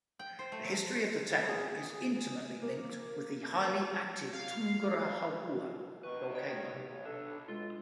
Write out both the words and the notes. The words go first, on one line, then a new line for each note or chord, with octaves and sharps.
The history of the town is intimately linked with the highly active Tungurahua volcano.
G5
C5
A3
F#3
G#4
A#3
F5
B2 D#3 B4 C#6
C#5 G5
B1 C3
D4 A4
G#3 F4